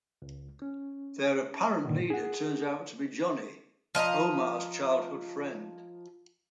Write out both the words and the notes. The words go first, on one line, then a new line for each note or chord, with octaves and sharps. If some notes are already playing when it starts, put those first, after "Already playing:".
Their apparent leader turns out to be Johnny, Omar's childhood friend.
C#2
C#4
G2 A#2 D3 D#3
G#4 F#5
F3 D#5 E5 A#5